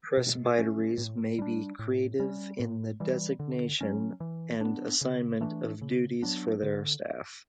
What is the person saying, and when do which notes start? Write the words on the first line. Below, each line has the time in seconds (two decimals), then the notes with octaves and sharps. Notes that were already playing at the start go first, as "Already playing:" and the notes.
Presbyteries may be creative in the designation and assignment of duties for their staff.
0.17 B2
0.59 A3 C#4
0.98 A2
1.39 G3 D4
1.79 A2
2.20 G3 C#4
2.59 A2
3.00 E3 G3
3.40 D3
3.81 F#3 C#4
4.20 E3
4.61 B3 D4
5.01 C#3
5.41 E3 A3 D4
5.81 C#3
6.22 F#3 B3 D4
6.62 D3